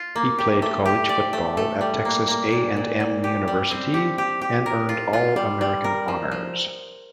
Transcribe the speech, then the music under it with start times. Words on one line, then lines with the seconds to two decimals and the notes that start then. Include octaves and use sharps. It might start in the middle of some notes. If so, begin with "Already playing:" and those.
He played college football at Texas A and M University, and earned All-American honors.
Already playing: F4
0.16 A#3
0.38 G4
0.62 A3
0.85 G4
1.09 D5
1.33 A3
1.57 A3
1.81 G3
2.05 A#3
2.28 A#3
2.52 A#2
2.76 A#2
3.00 A#2
3.24 G4
3.48 G3
3.71 C4
3.94 G4
4.18 G4
4.42 G4
4.66 A#4
4.89 F4
5.13 F4
5.36 G3
5.61 G3
5.84 A#4
6.08 F3
6.31 F3